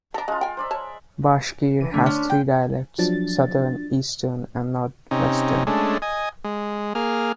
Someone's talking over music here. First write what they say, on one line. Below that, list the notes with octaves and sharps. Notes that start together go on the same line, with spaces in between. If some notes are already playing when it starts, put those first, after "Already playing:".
Bashkir has three dialects: Southern, Eastern and Northwestern.
D4 A4 A5 A#5
C#3 G#3 F4
G5 G#5
C5 D5 E5
C#5 A5
E3 D#7
D3 A3 D4 B6
C#4 C6 F6
G5
F3 F#3 D4 A6
C3 C#4 D#4
G#3 A3 C#4 D4
D#5 G#5
G#3
A#3 G#4 F6